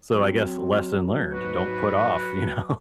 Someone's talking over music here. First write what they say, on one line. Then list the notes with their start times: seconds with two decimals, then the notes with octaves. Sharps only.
so I guess lesson learned, don't put off, you know,
0.13 F#3 C4
1.31 G#2 B2 F#4 B4